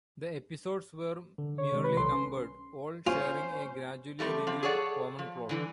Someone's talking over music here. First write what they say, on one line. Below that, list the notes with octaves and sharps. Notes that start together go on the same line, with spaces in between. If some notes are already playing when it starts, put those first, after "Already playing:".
The episodes were merely numbered, all sharing a gradually-revealed common plot.
D3
C#5
C3 D#3 G#3
B4
B1 A4 C6
C#4
C#4 F4 C5
E3 G3 A3 C4
F3 C4
G#4 A4 C#5 D5 F#5
F3
D3 E3 G3